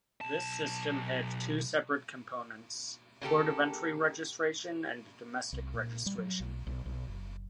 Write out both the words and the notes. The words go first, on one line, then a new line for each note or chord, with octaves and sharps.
This system had two separate components: port-of-entry registration and domestic registration.
B1 A5
C#3 A#3 G4 A4
C2
A#2
G3
F#3
B1
B1
B1
F#1